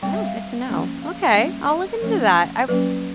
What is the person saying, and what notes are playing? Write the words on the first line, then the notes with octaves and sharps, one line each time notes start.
Oh, good to know. Okay, I'll look into that. I
G3 C4 G5
E5
F5
F3 A#3 C#4
F5
G3 A#3 C#4 E5
D#5
F3 A3 C#4 C#5
F#3 A#3 C#4 B4